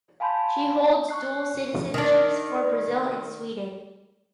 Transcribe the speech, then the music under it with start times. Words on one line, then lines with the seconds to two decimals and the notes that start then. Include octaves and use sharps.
She holds dual citizenships for Brazil and Sweden.
0.20 F5 G#5 A5 B5 C6 G6
1.09 C#6 F#6 C7
1.94 D#3 D4